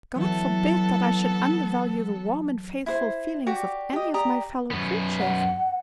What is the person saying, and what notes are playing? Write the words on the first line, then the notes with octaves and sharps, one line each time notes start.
God forbid that I should undervalue the warm and faithful feelings of any of my fellow-creatures!
E3 F#3 B3 A4
E4 C5
F#4 G4 D5
G4 D#5
G4 D5 A#5 D#6
F#2 B3
F#5